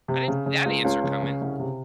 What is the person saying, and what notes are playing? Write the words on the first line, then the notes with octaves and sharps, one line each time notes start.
I didn't see that answer coming.
C3
C#3
C#3
C#2
C#2 C#4
C#3
C#3
C2
C3